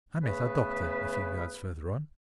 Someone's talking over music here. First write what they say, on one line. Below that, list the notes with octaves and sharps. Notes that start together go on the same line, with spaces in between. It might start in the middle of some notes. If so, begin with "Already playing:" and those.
I met our doctor a few yards further on.
C#3 A3 B3 B4